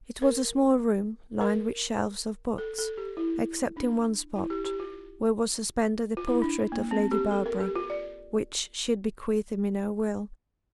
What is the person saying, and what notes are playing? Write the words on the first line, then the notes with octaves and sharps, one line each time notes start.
It was a small room lined with shelves of books, except in one spot, where was suspended a portrait of Lady Barbara, which she had bequeathed him in her will.
A#4
A#4
A4
A4
G4
E4
D4
E4
G4
G4
F4
F4
E4
D4
A#3
C4
G4
A4
A#4
G4
F4
D5